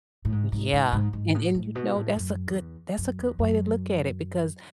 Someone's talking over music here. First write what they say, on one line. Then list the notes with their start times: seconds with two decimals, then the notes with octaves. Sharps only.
Yeah, and and, you know, that's a good that's a good way to look at it because
0.25 A2
0.32 G#2
0.52 G#2
0.73 G#2
0.93 G#2
1.13 G#2
1.35 A2
1.55 A2
1.75 B2
1.96 A2
2.16 F#2
2.47 E2
2.98 F#2
3.18 E2
3.39 F#2